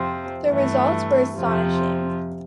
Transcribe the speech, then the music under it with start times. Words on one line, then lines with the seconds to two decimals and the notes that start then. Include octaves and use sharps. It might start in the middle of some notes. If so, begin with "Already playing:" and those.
The results were astonishing.
Already playing: F2 C3 F3 C4
0.45 G2 E3 A3
1.37 F2 C3 F3